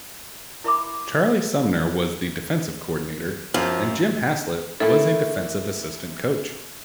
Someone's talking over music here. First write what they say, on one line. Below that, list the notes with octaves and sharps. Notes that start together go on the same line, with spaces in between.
Charlie Sumner was the defensive coordinator and Jim Haslett was a defensive assistant coach.
E4 A#4 E5 B5 C6 D6
F#2 F3
A3 A#3 E4 A4